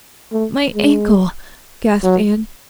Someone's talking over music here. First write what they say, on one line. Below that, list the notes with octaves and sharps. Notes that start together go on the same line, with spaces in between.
"My ankle," gasped Anne.
A3
G#3
F#3